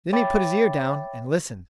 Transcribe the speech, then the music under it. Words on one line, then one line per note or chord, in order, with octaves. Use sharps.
Then he put his ear down and listened.
C#5 E5 G5 B5 D6 A6